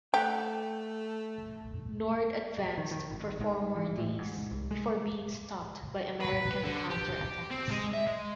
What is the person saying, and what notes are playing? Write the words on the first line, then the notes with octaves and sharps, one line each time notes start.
Nord advanced for four more days before being stopped by American counterattacks.
A3 G4 F#5 G5
D#3
D#3
G#1
G#2
E3
A2
G#2
C2
G#3
B4
D3
G4
C4
G#3
E5
G#3